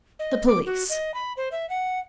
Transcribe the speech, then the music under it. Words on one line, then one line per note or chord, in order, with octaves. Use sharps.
The police.
D#5
D6
F#4
D#5
B5
C5
E5
F#5